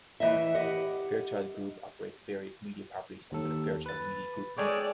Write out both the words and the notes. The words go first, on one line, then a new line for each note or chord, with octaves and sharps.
Fairchild Group operates various media properties under the Fairchild Media Group name.
E3 F#3 D#5 E5
G4 D#5 F#5
D#2 A4
B4 A6
G#3 A4 C#5 D5 G5